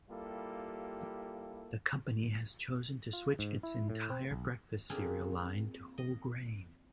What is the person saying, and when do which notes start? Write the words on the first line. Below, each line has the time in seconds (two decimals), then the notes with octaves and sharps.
The company has chosen to switch its entire breakfast cereal line to whole grain.
0.10 G3 A#3 E4 F4 G4 A4
3.13 F4
3.39 G#2
3.63 E4
3.90 A2
4.10 C4
4.31 B1
4.90 A#3 C4 D4 F4 G#4
5.98 D#5